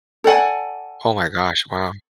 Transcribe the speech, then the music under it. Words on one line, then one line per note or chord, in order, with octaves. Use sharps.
Oh my gosh, wow.
A4 D5 F#5 G#5